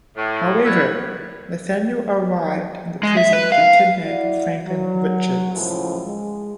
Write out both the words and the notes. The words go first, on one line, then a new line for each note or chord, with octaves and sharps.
However, Nathaniel arrived in the present to kidnap Franklin Richards.
A2
G3 B3 E4 A4 C#5 F#5
G#3
E5
B4
F5
E4 F#4 D5 F#5
F#3
C#2 F#2 A2 F3
G#3